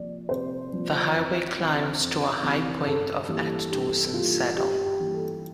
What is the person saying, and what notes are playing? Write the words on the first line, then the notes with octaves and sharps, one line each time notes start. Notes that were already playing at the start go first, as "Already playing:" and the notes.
The highway climbs to a high point of at Dawson Saddle.
Already playing: C3 F3 A#3 D5
C3 C5
F3 A#3
F2
C3 E3
F2
C3 E3
G2 A4
E3 G3 A#3
G2 G4
E3 G3 A#3 F4
G2 G4
G4
E3 G3 A#3
A4